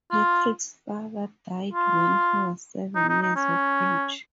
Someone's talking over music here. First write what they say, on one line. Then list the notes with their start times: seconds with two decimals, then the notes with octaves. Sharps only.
Patrick's father died when he was seven years of age.
0.12 F4
1.73 F4
2.95 D#4
3.09 D#4
3.22 D#4
3.36 C#4